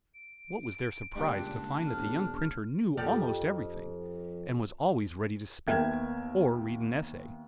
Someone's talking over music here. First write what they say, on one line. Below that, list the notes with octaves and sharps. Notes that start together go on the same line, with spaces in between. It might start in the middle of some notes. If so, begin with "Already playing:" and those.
What was their surprise to find that the young printer knew almost every thing, and was always ready to speak, or read an essay.
D7
C#2 A#2 G3 D4
E1 F6
F2 G4 D5
D#2 B3 A#4 E5 G5 G#6